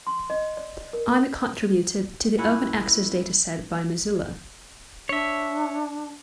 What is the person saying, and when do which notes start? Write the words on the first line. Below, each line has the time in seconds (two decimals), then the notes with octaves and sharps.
I am a contributor to the open access dataset by Mozilla.
0.07 C6
0.30 D#5
0.57 D5
0.93 A#4
2.38 A#2 C#4 E4 F#5
5.09 D4 C#5 E5